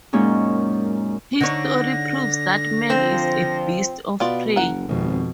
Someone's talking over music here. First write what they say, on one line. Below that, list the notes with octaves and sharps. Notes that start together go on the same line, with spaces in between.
History proves that man is a beast of prey.
F#2 A#2 G#3 A#3 C#4 D#4
D3 D#4 C#5 A#6
F3 C4 C5
B2 B3 F4 D5
F#1 A#4 F#5
G#1 F2 B2